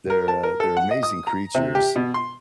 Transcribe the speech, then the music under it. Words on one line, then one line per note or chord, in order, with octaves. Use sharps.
They're, uh, they're amazing creatures,
A#4
A5
A#4
A4
F#5
D#5
D#6
A#5
C3
G4
B2
C6